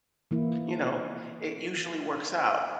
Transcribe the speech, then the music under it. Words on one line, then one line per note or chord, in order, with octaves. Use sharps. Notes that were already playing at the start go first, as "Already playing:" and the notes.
you know, it usually works out.
E3 A#3 E4